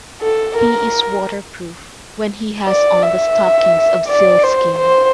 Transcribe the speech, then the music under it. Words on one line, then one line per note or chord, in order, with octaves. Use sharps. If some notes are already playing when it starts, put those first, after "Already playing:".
He is waterproof when he has on the stockings of sealskin.
A4
A#4
D5
E5
D5
C5
C5